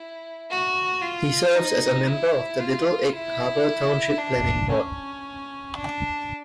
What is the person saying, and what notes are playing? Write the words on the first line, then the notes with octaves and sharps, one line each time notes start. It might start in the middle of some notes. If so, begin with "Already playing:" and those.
He serves as a member of the Little Egg Harbor Township Planning Board.
Already playing: E4
F#4
F4
D#4
E4
F4
E4
D4
C#4
D4